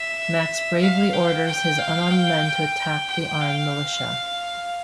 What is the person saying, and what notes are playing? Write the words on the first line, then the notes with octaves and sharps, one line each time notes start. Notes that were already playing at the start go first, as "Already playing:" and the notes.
Max bravely orders his unarmed men to attack the armed militia.
Already playing: E5
F5
G5
G5
F5
G5
G5
G5
F5